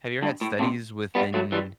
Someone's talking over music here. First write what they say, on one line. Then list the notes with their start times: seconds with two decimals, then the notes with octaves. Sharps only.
have you ever had studies within
0.22 G2
0.41 A2
0.59 A2 C3
1.15 G3 B3
1.34 F#3 A3
1.52 E3 G3